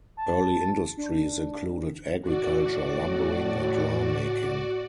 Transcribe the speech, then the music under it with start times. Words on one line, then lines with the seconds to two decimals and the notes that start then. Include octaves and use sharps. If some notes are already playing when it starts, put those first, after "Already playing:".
Early industries included agriculture, lumbering, and lime making.
0.17 A5
0.97 D4
2.22 A2 F#4 D5